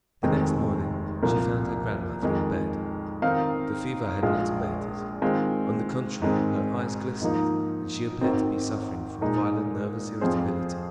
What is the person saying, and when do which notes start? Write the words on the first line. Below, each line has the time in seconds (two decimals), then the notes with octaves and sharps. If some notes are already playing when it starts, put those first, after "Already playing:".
The next morning she found her grandmother in bed; the fever had not abated, on the contrary her eyes glistened and she appeared to be suffering from violent nervous irritability.
0.23 F1 D#2 D#3 G#3 C4
1.23 C2 A#2 F3 A#3
2.22 F2 D#3 G#3 D#4
3.22 D#3 C4 D#4 A#4 F5
4.22 A#1 A#2 G#3 F4 G#4
5.22 D#3 G#3 C4 F4
6.22 G#2 D#3 G#3 C4
7.22 G#2 F3 A#3 D#4
8.21 G#1 G#2 D#3 C4
9.21 A#2 G#3 D#4
10.21 F2 F3 C4 G#4 C5